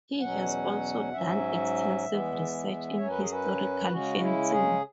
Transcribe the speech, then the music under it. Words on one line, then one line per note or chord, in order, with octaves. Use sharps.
He has also done extensive research in historical fencing.
E2 B2 F#3 C#4 F#5
G#2 F#3 C#4 E5
E2 E3 G#3 B3
F#2 F#3 C#4 C#5
B4
G#4
B4
C#3 G#3 C#4 F#4
E4
G#4